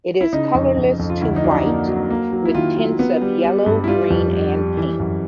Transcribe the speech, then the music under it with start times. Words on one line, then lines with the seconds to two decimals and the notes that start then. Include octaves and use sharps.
It is colorless to white with tints of yellow, green and pink.
0.21 E4
0.33 C#3 D#4
0.55 F2
0.77 F2
0.99 F2
1.10 F4
1.21 D2 E4
1.36 D#4
1.44 F#3 D4
1.51 D#4
1.66 A#3
1.88 F#3
2.10 A#3
2.33 F#3
2.45 E4
2.55 D#3 F4
2.77 F#3
2.99 B3
3.22 G3
3.44 G3
3.66 G2
3.84 E4
3.88 G3 F4
4.10 F2
4.32 G3
4.55 G3
4.77 E3
4.99 F#2